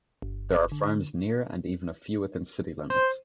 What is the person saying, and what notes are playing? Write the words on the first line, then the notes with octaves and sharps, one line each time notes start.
There are farms near and even a few within city limits.
G1
D3
C5